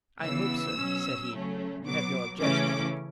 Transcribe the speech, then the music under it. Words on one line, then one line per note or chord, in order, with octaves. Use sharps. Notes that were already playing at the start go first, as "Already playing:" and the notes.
"I hope, sir," said he, "you have no objection to make."
C#3 E3 B3 E6
B2 F#3 C#4
C#3 F#3 A3 C#4
B2 F#3 B3 D6
C#3 E3 A3 C#4 D6